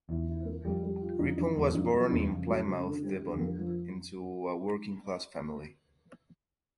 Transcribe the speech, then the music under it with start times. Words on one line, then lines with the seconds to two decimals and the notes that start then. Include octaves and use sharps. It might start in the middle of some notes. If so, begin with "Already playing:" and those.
Rippon was born in Plymouth, Devon, into a working-class family.
0.09 E2 E4
0.28 E4
0.45 A#3
0.65 F2 G3
0.83 G3
1.01 F4
1.19 F2 D#4
1.38 F2 D#4
1.55 E2 F#3
1.74 F2 D#4
1.92 F#2 F3
2.10 E2 D#4
2.30 F2 C#3
2.48 F#3
2.65 C#3
2.85 D3
3.03 G3
3.21 D3
3.33 E2
3.38 F2 A#3
3.58 F3